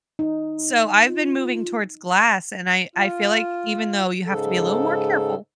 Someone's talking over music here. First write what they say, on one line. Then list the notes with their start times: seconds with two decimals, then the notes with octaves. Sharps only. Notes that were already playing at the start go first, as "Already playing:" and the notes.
So, I've been moving towards glass, and I I feel like, even though you have to be a little more careful,
0.19 D#4
1.07 F4
2.95 F4
4.26 G#2 C#3 A4